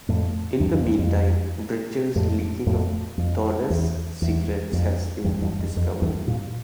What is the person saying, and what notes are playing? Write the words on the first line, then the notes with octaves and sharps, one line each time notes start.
In the meantime, Bridger's leaking of Thorness' secrets has been discovered.
F2 A2
E2 G2
F2
E2
F2
F2 A2
F2 A2
F2
E2
E2
F2
E2 G2
E2 G2
F2
F2
E2 G2
G2 A#2